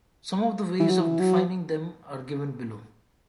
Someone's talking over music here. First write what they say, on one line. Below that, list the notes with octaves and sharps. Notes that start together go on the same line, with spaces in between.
Some of the ways of defining them are given below.
E3
F#3
E3
F#3